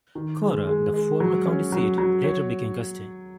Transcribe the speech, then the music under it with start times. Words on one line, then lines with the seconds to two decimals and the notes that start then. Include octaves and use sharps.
Cora, the former county seat, later became Gustine.
0.15 D#3
0.42 G#3
0.67 G#3
0.94 G#3
1.20 F#3
1.46 C#4
1.72 F#3
1.98 F#3
2.24 C#5